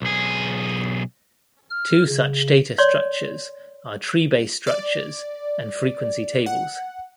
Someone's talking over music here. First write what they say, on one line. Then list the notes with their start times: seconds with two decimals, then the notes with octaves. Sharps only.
Two such data structures are tree-based structures and frequency tables.
0.02 B1 G#4
1.70 F6
2.09 C#3
2.78 C#5 D5 C6
4.67 D5
6.46 F#5